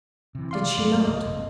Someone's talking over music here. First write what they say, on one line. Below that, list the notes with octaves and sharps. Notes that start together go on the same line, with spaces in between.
Did she not?
C3 E3
D5 F5 C6
G#2 F#3 B3
C#2 D#5
F#1 C2